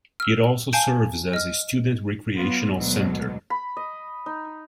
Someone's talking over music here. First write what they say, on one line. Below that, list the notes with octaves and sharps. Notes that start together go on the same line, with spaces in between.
It also serves as a student recreational center.
E6 F6
F5 G#5 A5 G6 D7
D#5 F6
F#3 B3 F4
D2 B2 F#3 G#3
B5
D#5
D#4